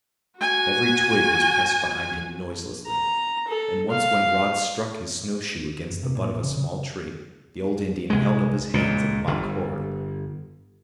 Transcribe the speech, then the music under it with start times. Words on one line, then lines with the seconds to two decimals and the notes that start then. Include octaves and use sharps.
Every twig was pressed behind him noiselessly, and once when Rod struck his snow-shoe against the butt of a small tree the old Indian held up his hands in mock horror.
0.38 F#4 G#5
2.87 A#5
3.47 A4
3.91 F5
5.90 F#1
6.03 C3
6.15 A#2
6.31 A1
6.43 C#3
6.57 C#3
8.10 C2 G#3
8.74 C#2 A#2
9.27 G1